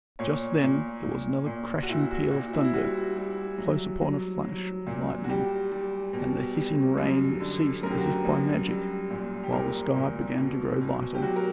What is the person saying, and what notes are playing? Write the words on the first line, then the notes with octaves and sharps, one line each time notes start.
Just then there was another crashing peal of thunder, close upon a flash of lightning, and the hissing rain ceased as if by magic, while the sky began to grow lighter.
A#2 C#5
A#2
A#2
A#2
F#4
A#2 E4
F#4
A#2 F#4
E4
E4
G3 F#4
G3
F#3
F#3
F#3
A#2
F#4
G3 G4
G3
B2
G3
F#2
D3
F#2 A#4
G4
F#4
G4
F#2
G3
A#2
G4
A#2 A#4
A#2
B2
B2
G4
F#3 F#4
A#4